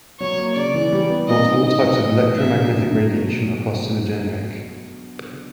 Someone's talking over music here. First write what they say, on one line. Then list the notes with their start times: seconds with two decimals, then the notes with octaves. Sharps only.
Not all types of electromagnetic radiation are carcinogenic.
0.20 F#3 C#5
0.38 A#3
0.56 C#3 D5
0.74 E3
0.92 G3
1.10 B3
1.28 C3 D#5
1.47 D#3
1.65 D#3 D#5
1.82 F#3
2.01 A2
2.19 E3
2.37 D3 E5
2.55 F#3
2.73 D3
2.92 F#3
3.10 B2